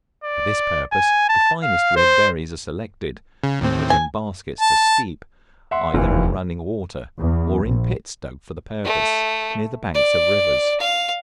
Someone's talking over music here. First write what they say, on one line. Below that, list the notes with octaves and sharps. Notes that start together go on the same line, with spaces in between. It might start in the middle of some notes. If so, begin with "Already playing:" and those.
For this purpose the finest red berries are selected, and put in baskets to steep, either in running water, or in pits dug for the purpose, near the banks of rivers.
D5
G#5
A5
F5
C5
C#3
D#2 A2 C4
G#5
A5
E5 F#5 C6
F1 D#2 E3
E2
A#1
A3
D5
F5